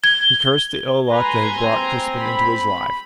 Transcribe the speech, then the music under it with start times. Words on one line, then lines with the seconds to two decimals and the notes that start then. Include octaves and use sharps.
He cursed the ill-luck that had brought Crispin into his life.
0.04 G#6 G7
1.11 B4 G#5 A#5 C6
1.57 C4
2.17 B5